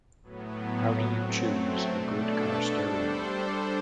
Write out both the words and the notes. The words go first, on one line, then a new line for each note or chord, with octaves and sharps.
How do you choose a good car stereo?
A2 F#3 B3
F#3 A3 C4
B2 A3 D4 A4
G3 D4 A4 C5